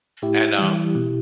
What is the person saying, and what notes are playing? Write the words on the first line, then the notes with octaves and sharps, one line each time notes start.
and, um,
A2 E4 G4
E3 G3
B2